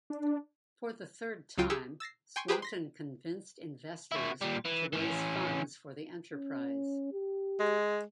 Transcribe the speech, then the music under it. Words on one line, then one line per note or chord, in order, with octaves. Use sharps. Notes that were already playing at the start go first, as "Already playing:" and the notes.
For the third time Swanton convinced investors to raise funds for the enterprise.
D4
C#2 F#3 F4 G5 D#7
G4 G#4 E6 C#7
E6 A6 A#6 C7
G5 G#5 C6 C#6
G4 G#4 B4 C5 G5
C6 A#6 B6
E4 F#4
A#2 G3
E3
E3 C#4
C#4
G4
G#3